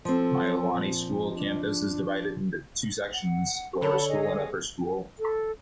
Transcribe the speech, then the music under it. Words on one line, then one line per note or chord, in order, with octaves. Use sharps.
Iolani School's campus is divided into two sections: Lower School and Upper School.
F3 C4 A4
A#2
D4
F#5
D3 A4 C#5 F#5 A5 B5
G#4 D#5
A4